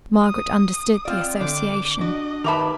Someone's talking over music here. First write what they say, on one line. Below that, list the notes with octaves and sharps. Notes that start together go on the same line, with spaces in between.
Margaret understood the association.
D#6
C4 F4 D5
D3 C4 D4 D6
D4 F#4 D#5
D#3 G4 B4 E5 A5 B5 D6 F7